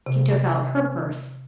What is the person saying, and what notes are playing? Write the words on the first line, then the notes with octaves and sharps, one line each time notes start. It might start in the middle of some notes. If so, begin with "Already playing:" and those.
She took out her purse.
C3